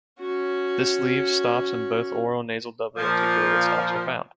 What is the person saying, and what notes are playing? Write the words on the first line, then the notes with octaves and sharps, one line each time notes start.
This leaves stops, and both oral and nasal doubly articulated stops are found.
C#4 F#4
A#2 F3